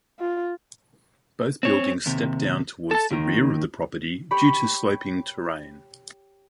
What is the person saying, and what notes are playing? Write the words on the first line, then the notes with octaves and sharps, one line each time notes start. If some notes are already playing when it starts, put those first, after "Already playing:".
Both buildings step down towards the rear of the property due to sloping terrain.
F4
C4 C#5
D#2 C3
A4 A5
D#2 D#3
G4 C#5 B5